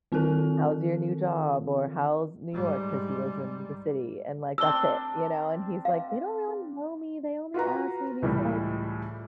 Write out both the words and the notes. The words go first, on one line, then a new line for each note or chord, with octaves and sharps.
"How's your new job?" or "How's New York?" 'cause he lives in the city and like that's it, you know, and he's like, "They don't really know me, they only ask me these like
D#3 C4 F4 A4 A#4 A5
G#2 G3
C4 D4 A#4 E6 G7
F5
F4 F#4 B4 A#5
C#2 A2 E3 G3